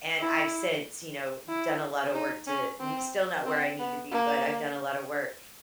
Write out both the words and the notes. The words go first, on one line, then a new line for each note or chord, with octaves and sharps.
and I've since, you know, done a lotta work to n still not where I need to be, but I've done a lotta work,
E4
E4
D#4
C#4
C4
C4
B3
A#3